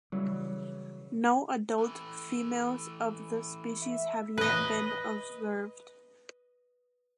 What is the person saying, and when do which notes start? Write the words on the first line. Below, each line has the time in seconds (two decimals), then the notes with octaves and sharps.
No adult females of the species have yet been observed.
0.12 C#3 E3 F#3 G3
1.78 E3 A3
3.82 E5
4.38 B4 D#5